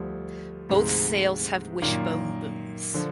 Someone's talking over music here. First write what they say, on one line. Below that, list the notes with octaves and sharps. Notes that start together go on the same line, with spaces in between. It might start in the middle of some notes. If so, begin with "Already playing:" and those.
Both sails have wishbone booms.
Already playing: D2 D3 F3 G3
D2 G#2 C3 F3 G#3
F#2 A#2 D#3 A#3
D3 F3